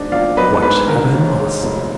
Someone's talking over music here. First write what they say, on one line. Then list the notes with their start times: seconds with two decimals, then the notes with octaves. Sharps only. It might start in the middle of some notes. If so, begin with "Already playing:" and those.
What had I lost?
Already playing: G#2 D4 D#5
0.12 A#1 D5 F5
0.37 F#3 B4 D#5
0.62 G#2 B4
0.88 D3 A#4
1.14 D#2
1.39 G#3
1.63 F1